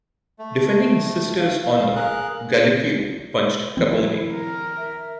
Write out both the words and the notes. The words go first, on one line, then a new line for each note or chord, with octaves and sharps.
Defending his sister's honor, Gallucio punched Capone.
A3
F5
F5
G#4 A#4 F#6
D#3 F3 C4 E4
A#4
E5